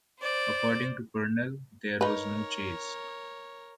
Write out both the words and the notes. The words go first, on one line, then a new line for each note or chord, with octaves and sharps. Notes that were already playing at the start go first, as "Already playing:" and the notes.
According to Purnell: There was no chase.
C5 D5
D#4 A#4 B4 C#5